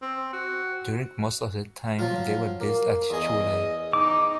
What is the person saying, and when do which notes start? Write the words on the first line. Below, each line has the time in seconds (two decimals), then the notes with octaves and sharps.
During most of their time they were based at Chu Lai.
0.02 C4
0.33 F#4
1.99 F3 F#3 F4
2.61 A#3
3.10 E2 G#4 D#5
3.93 D#4 D6